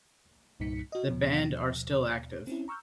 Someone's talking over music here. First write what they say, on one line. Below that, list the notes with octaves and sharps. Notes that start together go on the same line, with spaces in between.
The band are still active.
C2 G2 A#2 D#4 B6 C#7
F#4 D#5
D#2 B2 F3
C4 C#4 E4
A#5 C#6 E6 F6 G6